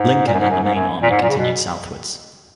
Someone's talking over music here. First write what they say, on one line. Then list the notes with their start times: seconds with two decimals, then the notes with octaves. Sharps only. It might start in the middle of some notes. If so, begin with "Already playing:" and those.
Lincoln and the main army continued southwards.
Already playing: G#2
0.27 A#2
0.34 F#2
0.39 G#2
0.51 F#2
0.63 G#2
0.75 F#2
1.03 A#2
1.10 G#2
1.22 A#2
1.30 C#3
1.38 B2